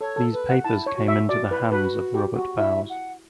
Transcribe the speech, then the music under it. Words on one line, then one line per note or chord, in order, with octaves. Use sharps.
These papers came in to the hands of Robert Bowes.
A4 C#5
A4
B4
F#5
E4 A5
C#5
F#4
E5
F#4 D5
E4 B4
F#4 B4
G4
F#4
E4 E5
F#5